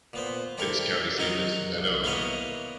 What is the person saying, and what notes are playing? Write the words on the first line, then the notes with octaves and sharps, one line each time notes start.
Its county seat is Mahnomen.
A#2 B3 C5
C4 D4 E4 A4 A#4
F#3 D#4 A#4
C2
A#3 B3 E4 A#4 C#5 D#5